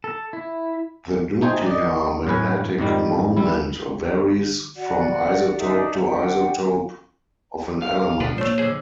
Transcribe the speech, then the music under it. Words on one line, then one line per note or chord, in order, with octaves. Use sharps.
The nuclear magnetic moment varies from isotope to isotope of an element.
A4
E4
A3 D#4 G#4 C5 G5
D5 D#5
F#2 A2 B4 G#5
F2 G#2 D#3 G3
G3 E4
F#4 D5 F#5
D4 D#4 A4 E5
D4 F#5 G5
F5
B2 F3 D4 B4 D5
A#2 A3 A#3 C5 C#5
B1 F2 D3 G#4 C5